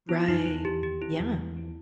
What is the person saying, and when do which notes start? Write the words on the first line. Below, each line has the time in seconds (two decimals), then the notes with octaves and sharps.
Right, yeah.
0.09 B3 E4
0.28 F#2 D#4
0.46 E2 E4
0.64 E2 G4
0.83 D#3 G4
1.01 C4 E4
1.20 E2
1.38 E2
1.56 C4